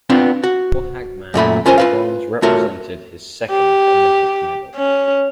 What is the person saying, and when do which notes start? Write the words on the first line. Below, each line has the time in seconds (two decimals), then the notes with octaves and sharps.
For Hagman, the bronze represented his second Olympic medal.
0.10 B3 C4 D4 F4
0.44 F#4
1.34 F#2 A#2 A3 B5
1.66 C#4 F4 A#4 C5 G#5
1.78 F4 B4 F5
2.42 A3 F4 F#4 A#4 C#5
3.51 G4
4.76 C#4